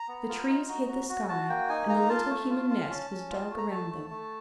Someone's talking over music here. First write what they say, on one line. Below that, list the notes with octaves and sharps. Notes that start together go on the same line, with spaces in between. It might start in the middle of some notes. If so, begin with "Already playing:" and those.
The trees hid the sky, and the little human nest was dark around them.
Already playing: A#5
B3
F4
D#4
F#4
F#4
F#4
F#4 A5
A#3 G5
D#4 G#5
A#3 A#5
F4 A5
A3
F4
F4
C#4
C#4
F4
A3
A#5
A3 A5
A3
A3